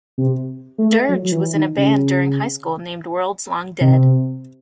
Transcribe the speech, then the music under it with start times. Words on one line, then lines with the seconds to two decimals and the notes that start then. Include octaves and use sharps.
Dirge was in a band during high school named Worlds Long Dead.
0.18 C3
0.78 A3
1.09 F#3
1.25 F#3
1.32 E3
1.54 D#3
1.77 C#3
3.81 C3